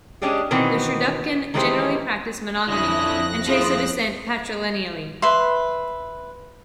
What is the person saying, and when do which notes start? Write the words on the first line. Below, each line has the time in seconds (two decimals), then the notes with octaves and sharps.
The Sherdukpen generally practice monogamy and trace their descent patrilineally.
0.22 G#3 C#4 D4 G4 G#4
0.51 B2 D#3 E3 B3 C4
1.54 D#3 E3 G#3 A3 G4 C5
2.68 F2 D3 C#4 D4 E4 D#6 F#6 A#6
3.47 D#3 F3 E4 F4 G#4
5.22 B4 E5 C6